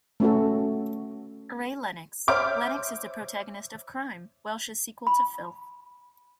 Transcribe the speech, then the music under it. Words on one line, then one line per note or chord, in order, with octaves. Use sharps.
Ray Lennox - Lennox is the protagonist of "Crime", Welsh's sequel to Filth.
A3 C#4 F#4 A4
C5 C#5 E5 D6 F6 G6
B5